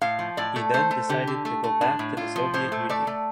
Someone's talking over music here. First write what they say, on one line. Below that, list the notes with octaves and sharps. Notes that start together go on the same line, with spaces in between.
He then decided to go back to the Soviet Union.
A2 F5
F3
A2 D5
A3
A3 C5
A3
D3 G4
D3
A3
A3
A2 D4
A2
A2 F4
F3
A2 C5
A3
A3 D5
A3